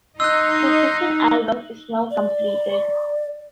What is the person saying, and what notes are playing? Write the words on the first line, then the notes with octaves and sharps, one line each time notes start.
Their second album is now completed.
D#4 D#5 C6 E6 F#6 G6
D5